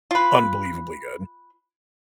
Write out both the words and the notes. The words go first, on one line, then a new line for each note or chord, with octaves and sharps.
unbelievably good.
F4 B4